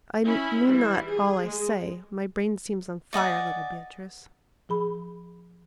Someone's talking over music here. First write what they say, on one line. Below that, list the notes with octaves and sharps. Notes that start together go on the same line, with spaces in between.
I mean not all I say--my brain seems on fire, little Beatrice.
C#4 E4 B5
E3 G3 E4
G#4
G#3
D5 D#5 F#5 G#5
F3 G#4 B5